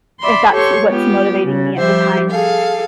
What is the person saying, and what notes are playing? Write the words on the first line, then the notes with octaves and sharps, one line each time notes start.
if that's what's motivating me at the time.
D5 E5 B5 C6
G4 A4 C#5 C6 C#6
G#3 B3 F4 G4
C#3
F3 G3 G4 C5 E5
G#4 A4 F5